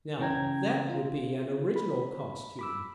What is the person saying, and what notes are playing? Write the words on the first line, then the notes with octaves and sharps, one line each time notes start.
Now that would be an original costume.
C#3 E3 C#4 G5 A#5 G#6
F4
B5
B5 D6 E6